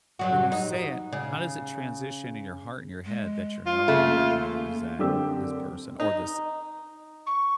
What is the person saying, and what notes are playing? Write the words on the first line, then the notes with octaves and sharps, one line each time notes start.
When you say it, how does it transition in your heart and your head that you're no longer going to resent this person or this
G2 F#3 F#4
D#4
C#3
G#3
F4
C#3 A3 A#3
F#2 D3 C4 G4 E6
D#4
C#6